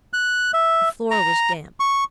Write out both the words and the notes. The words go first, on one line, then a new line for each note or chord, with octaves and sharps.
The floor was damp.
F#6
E5
A#5
C#6